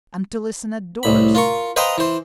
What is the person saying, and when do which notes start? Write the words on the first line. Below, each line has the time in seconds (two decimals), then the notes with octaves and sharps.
"And to listen at doors!"
1.03 C2 A2 B5
1.35 F4 A#4 C#6
1.76 B4 C5 D#5 F5 G5 A#5
1.98 E3 C5